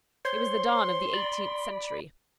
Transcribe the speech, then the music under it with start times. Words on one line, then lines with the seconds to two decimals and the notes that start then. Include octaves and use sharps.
It was the dawn of the eighteenth century.
0.25 C5 C#5 C6
1.14 D5 B5